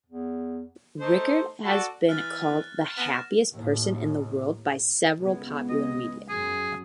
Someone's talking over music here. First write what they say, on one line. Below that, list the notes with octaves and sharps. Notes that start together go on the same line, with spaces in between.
Ricard has been called the "happiest person in the world" by several popular media.
E2
A3 D#4 C5
F#4 A4 D5
E3 F6 F#6 A6
B3 A#6 E7
D#2 A2
C#2 G#3 B3
D#5
F#2 G#4